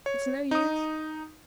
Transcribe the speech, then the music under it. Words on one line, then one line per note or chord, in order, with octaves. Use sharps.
It's no use.
C#5
D#4 D#6